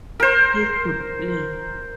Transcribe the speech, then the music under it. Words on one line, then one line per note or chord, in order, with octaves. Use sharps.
He could play.
A#4 C5